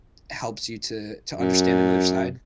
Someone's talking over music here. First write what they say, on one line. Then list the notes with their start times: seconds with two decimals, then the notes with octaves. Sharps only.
helps you to to understand another side,
1.37 F#2